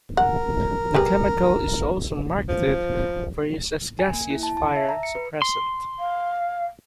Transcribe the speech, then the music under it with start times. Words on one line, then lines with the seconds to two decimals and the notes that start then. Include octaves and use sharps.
The chemical is also marketed for use as a gaseous fire suppressant.
0.17 A#4 F#5
0.94 G3 G#4 B4
2.49 F3
3.99 G#5
4.13 A#3
4.30 E4
4.43 A5
4.57 A5
4.76 E5
4.89 A#5
5.03 C#7
5.15 B4
5.42 C6
5.99 F5